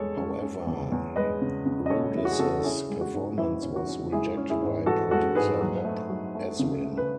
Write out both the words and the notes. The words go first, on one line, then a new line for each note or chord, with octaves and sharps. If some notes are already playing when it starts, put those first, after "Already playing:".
However, Rudess's performance was rejected by producer Bob Ezrin.
Already playing: E2 G#3 A4 C#5
C#4
C#4
E2
E2
G#3 B4 D#5
C#3
C#3
D#5
C#4 A4 C#5
E2 E4
F#4
G#4
C#3 F#4 A4
A4
C#4 E4 G#4
G#3
F#4
G#2
E3 E4
C#4
F#4
C#4
G#3 E4 G#4
C#4
E4 G#4
G#2
E3 F#4 A4
G#3 F#4 A4
G#2 G#4 B4
F#3
A3
F#3
A3
C#3
A3
B4